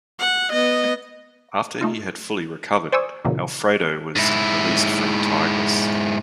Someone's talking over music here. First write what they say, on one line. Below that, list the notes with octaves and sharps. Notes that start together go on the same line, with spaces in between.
After he had fully recovered, Alfredo was released from Tigres.
F#5
B3 D#5
A3 D#4 F4
C5 D5 G#5 C#6 D#6 E6
A#2 C#3 E3 F#3 A#3
G#2 E4